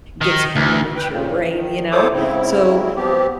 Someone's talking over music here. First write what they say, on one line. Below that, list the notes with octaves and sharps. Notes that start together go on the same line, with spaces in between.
gets hammered into your brain, you know? So
D#3
D2
B4 G5
F2 A#2 C#3
D#3
E4 A4 C5 C#5 D6 D#6
G#2 C#3 C4 E4
F3 B3 C4 G4